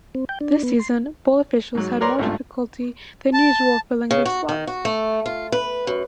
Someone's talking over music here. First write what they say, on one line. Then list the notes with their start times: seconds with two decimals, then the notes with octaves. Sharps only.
This season, bowl officials had more difficulty than usual filling their slots.
0.15 C4
0.29 G5
0.41 D4
0.63 B3
0.79 C6
1.75 G#2 F#3
2.01 A#4 B4 C#5 D5 A#5 C6
2.19 G#1 C#2 G2 A3 F4
3.34 A5
4.11 C#3
4.26 F#4
4.49 D#3
4.67 F#4
4.85 A3
5.26 F4
5.52 B4
5.87 F#2